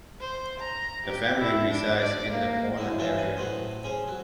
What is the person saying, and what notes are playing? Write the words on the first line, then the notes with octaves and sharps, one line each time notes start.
The family resides in the Portland area.
C5
A#5
G4
E4
D4
D5
A#3
F#2 D3 E4
E3 F3 C5 C#5 E5
B4 G#5
A2 F#3 C5 D#6
C#4 G#4 C5
F#3